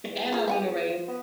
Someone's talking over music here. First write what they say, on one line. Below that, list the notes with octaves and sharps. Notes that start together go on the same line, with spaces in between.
A and I wanna raise.
E2
F4 G#4
E5 F#5 G#5
F3
B3